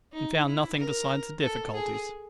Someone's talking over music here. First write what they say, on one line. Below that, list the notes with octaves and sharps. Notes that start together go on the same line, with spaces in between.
'And found nothing besides the difficulties?'
D#4
E4
A#4
A4
G#4